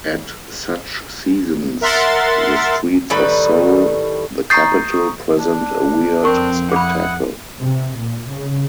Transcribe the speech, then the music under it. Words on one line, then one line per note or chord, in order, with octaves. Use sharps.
At such seasons, the streets of Seoul, the capital, present a weird spectacle.
A#4 E5 F#5 C6 A6
A2 D#3 G3 B4
A#5 C#6 D#6 G6 A6 C7
D4
F2 C4 A#4 C#6
E4 F#5 B5 D6 D#6
C3
A#2
C#3